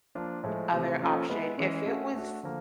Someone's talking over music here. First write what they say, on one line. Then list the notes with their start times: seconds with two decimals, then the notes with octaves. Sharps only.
other option, if it was
0.15 F3 A#3 D4 F4
0.44 A2 F3 G#3
0.72 C3 E3 A3 C4
1.00 F3 A#3 C#4 F4 A4
1.29 G#3 B3 E4
1.58 E3 G#3 C#4
1.86 A3 C#4 F#4
2.14 A3 D4 F#4
2.43 D3 F3 A#3